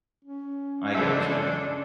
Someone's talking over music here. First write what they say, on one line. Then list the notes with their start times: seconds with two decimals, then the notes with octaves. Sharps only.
I gotcha.
0.25 C#4
0.94 C#2 G#3 D4 A4 E5